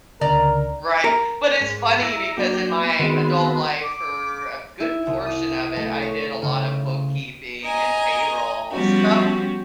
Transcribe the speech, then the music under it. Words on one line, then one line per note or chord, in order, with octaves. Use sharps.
right, but it's funny because in my adult life for a good portion of it, I did a lot of bookkeeping and payroll, so
C#2 D3 A#4 D5 A#5
A#4
G#2
E4 E5 A#5 A#6
F#3 A#3 D4 G5
B3
D#3 G#3 B3 C4 F#4
D6
E4
C2
D#6
A3
C#5
C#3
D#5 G#5 A#5
F3 G3 B3 C#4 F#4 G4